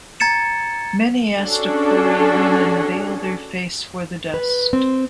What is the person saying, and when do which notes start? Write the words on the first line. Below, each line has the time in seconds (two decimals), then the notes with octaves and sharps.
Many Astapori women veil their face for the dust.
0.20 A#5 G#6 A6 C#7 E7
1.39 C#4 D4 F#4 G#4 A4
4.34 B4
4.73 C4